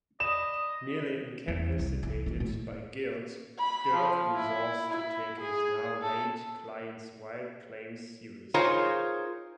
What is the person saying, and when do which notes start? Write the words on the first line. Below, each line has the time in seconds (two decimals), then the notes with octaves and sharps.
Nearly incapacitated by guilt, Dirk resolves to take his now-late client's wild claims seriously.
0.20 D5 D#5 B5 D#6 E7
1.48 E2
1.79 C2
2.03 E3
2.26 D#3
2.40 A2
3.58 B5
3.94 F3
4.36 E4
4.90 E4
5.40 G#4
6.02 A4
8.54 D#4 F4 G#4 A#4 C5 C#5